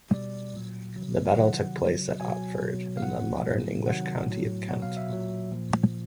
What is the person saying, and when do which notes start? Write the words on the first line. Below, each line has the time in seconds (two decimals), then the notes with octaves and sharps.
The battle took place at Otford, in the modern English county of Kent.
0.13 B2 G3 D5
0.54 A#2 F#3
0.96 C#3 F#3
1.37 C3 D#3 F#3 F#5
1.78 C#3 F#3
2.20 B2 F#3 G#5
2.62 B2 F#3
2.97 F5
3.02 A2 F3 F#5
3.44 A2 F#3
3.86 C3 D#3 F#3 F#5
4.28 A2 F#3
4.68 B2 F#3 F#5
4.82 F5
4.97 E5
5.10 A#2 F#3
5.52 A#2 F3